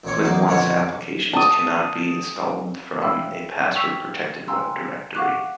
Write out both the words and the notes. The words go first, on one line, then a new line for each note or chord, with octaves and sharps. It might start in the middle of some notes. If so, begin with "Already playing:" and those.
ClickOnce applications cannot be installed from a password-protected Web directory.
A1 A#2 C#5
E2 C#3 F#3 A#3 D#4
F2 B2 D3 A#4 C#5 F#5
A5 D#6
E5 F5 G5 B5 E6
G5 C#6 E6 B6
F5 G5 G#5 A#5 C6 E6
F5 F#5 C#6 D6 F#6